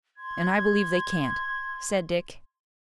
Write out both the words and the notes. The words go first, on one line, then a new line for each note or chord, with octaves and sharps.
"And I believe they can't," said Dick.
C6 G#6